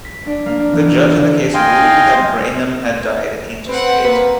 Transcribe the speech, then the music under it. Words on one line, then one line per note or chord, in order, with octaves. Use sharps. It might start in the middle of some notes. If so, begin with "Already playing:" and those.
The judge in the case ruled that Graham had died intestate.
B6
D4
A#3
D4
E3
F4
D3
D#5 F5 G5 G#5 C6
C4 B4 F#5
A#3 B4